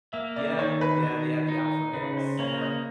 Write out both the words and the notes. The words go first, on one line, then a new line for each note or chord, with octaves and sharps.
Yeah. Yeah, they have the alpha males. Yeah.
A#3 E5
D5
D#3 C#5
B4
D#3
D#4
C#3 B4
C5
A#3 C#5
D#5